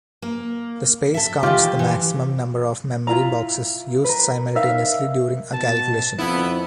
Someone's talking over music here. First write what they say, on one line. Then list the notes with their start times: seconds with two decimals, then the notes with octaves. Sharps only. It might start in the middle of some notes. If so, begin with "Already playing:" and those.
The space counts the maximum number of memory boxes used simultaneously during a calculation.
0.22 A#3
1.14 A4 E5
1.43 D#3 E3 F4 G4
1.79 E3
3.07 E4 F4 A#5
4.04 A#4 B4
4.55 D#4 A#4 E5 F5
5.53 B2 A5
6.19 F2 B3 E4